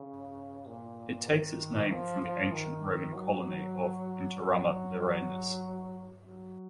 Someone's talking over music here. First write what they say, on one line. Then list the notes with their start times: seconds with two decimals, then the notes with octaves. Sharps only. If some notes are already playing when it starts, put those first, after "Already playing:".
It takes its name from the ancient Roman colony of Interamna Lirenas.
Already playing: C#3
0.67 A#2
1.29 D#3
1.91 F3
2.22 F3
2.53 D#3
3.15 F#3
4.39 F#3
5.00 F#3
6.24 F#3